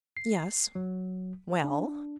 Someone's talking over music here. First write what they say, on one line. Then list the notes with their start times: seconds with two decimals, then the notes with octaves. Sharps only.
"Yes." "Well?"
0.17 C7
0.75 F#3
1.64 D4